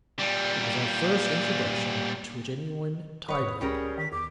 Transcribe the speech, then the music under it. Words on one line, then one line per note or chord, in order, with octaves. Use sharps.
It was our first introduction to a genuine tide rip.
A#2 G3
D#1 B4 C#5 D#6
A2
C#2 G3 C#4 G#4 A#4
D#3 B6
E2 D6